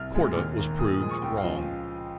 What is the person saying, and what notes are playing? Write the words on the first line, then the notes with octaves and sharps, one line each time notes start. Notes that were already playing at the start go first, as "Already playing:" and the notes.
Korda was proved wrong.
Already playing: C2 F6
A#2 G#3
D#2 F6
D#3 A#3
A#2 D#6
F3 G#3 D#6
C#6
C#2 G5
F5
C#3 F3 D#5